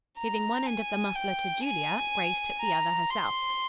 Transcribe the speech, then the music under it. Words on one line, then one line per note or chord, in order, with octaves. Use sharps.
Giving one end of the muffler to Julia, Grace took the other herself.
A#5
G#5
G5
G#5
A#5
C6